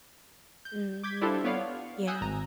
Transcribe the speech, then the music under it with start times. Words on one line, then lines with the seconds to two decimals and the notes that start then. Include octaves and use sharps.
Mhm. Yeah.
0.65 G6
1.03 D6 G6 G#6 B6
1.21 D4 E4 F4 G4 A4 C5
1.44 B3 C#5 D5 F5
2.07 G#5 D#6 E6 F#6 G6
2.21 G#1 A#5